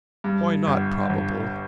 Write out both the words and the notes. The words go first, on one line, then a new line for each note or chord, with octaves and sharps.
"Why not probable?"
G2
G1
G1